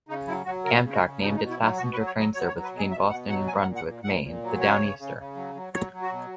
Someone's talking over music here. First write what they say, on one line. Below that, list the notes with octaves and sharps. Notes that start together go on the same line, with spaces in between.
Amtrak named its passenger train service between Boston and Brunswick, Maine the "Downeaster".
C#3 D#4
F#3 E4
F#3 F#4
C#3 A#4
C#3
F#4
C#3
B2 D#4
D#4
B2
E4
F#3 D#4
B2 F#4
B4
F#3
C#5
F#3 D#5
F#3 C#5
C#5
F#3
B4
B2
G#4
B2 E5
B2 F#5
F#3 F#5
A#2 G#5
F#5
A#2
F#5
A#2
A#2 F#5
A#2
F#3
C#3 C#5
C#3
C#3
C#3
F#3
F#3
F#3 C#5
F#3
F#4
B2